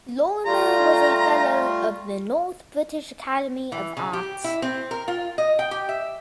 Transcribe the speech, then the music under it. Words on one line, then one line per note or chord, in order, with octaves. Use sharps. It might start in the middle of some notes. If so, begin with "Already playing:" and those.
Lorimer was a fellow of the North British Academy of Arts.
G3 A3 F4 A#5
E3
C#3
G4
E4
C4
A#4
F4
D#5
G5
G4
E5